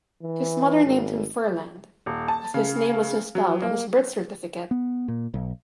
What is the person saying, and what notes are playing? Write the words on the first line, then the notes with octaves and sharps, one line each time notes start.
His mother named him Furland, but his name was misspelled on his birth certificate.
E3
G#1
D#1
A5
C#3
F#3
A#3
B3
A#2
B1